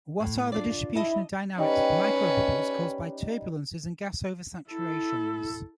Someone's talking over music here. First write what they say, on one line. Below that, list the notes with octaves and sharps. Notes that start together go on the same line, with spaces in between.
What are the distribution and dynamics of microbubbles caused by turbulences and gas-oversaturations?
A2
D4 F4 D5
E4 D#5 A5
G3 C#4 D#4 B4
E4 A4